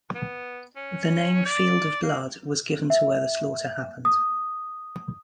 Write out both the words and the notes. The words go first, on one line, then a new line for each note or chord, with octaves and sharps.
The name "Field of Blood" was given to where the slaughter happened.
B3
C#4
D5
A#3
E5
D#6